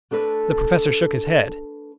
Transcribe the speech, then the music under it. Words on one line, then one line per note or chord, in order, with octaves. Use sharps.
The Professor shook his head.
A3 D4 A4 B4